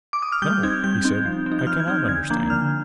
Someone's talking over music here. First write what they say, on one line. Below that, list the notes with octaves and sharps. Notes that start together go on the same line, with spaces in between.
"No," he said, "I cannot understand."
D6
D#6
F6
G3 G6
C4 D#4 G#6
G3 G6
C4 D#4
F3
C4
D#4
G6
F3 F6
G#6
C4 D#4 G6
D3 G#6
F3 A#3 D4 G6
D3 F6